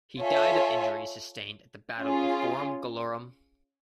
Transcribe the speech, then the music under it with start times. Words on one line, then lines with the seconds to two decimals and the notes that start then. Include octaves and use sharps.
He died of injuries sustained at the Battle of Forum Gallorum.
0.20 F4 A4 C#5 E5 G#5
1.99 C#4 F4 G#4